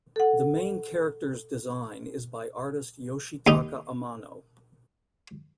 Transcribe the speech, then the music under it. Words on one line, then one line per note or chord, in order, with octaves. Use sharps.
The main character's design is by artist Yoshitaka Amano.
A4 F#5
D#2 D#4